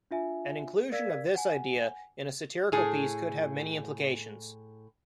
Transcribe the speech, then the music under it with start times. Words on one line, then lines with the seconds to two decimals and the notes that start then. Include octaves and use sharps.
An inclusion of this idea in a satirical piece could have many implications.
0.11 D4 F4 E5 G#5
0.92 A#4 D5 F5 E6 G#6 B6
1.35 F#5 G#5
2.72 A2 G#4